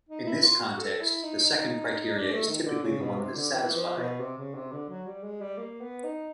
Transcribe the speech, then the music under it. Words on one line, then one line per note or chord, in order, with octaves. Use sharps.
In this context, the second criteria is typically the one that is satisfied.
D#4
E4
F4
F#4
A4
E4
D#4
D#4
D4
A3
D#3
D3
C#3
B2
C3
D3
E3
F3
B2
C3
C#3
C3
D3
F#3
G3
G#3
G3
A#3
B3
D#4